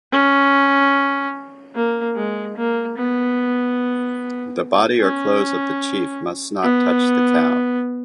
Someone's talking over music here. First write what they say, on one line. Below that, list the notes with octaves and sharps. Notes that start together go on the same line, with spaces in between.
The body or clothes of the chief must not touch the cow.
C#4
A#3
G#3
A#3
B3
C#4
B3